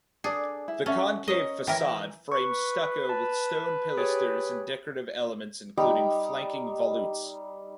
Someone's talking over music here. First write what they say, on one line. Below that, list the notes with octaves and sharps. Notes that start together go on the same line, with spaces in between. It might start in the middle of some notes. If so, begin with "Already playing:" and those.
The concave facade frames stucco with stone pilasters and decorative elements including flanking volutes.
D4 G#4 A4 D5
E4
C#4 A4 E5 F#5
C#4 A#4 C#5 D#5
E3 A#4 C#5 E5 G5
E5
B4 C#6
A5
G4 G#4 C#5
G3 D#4 G5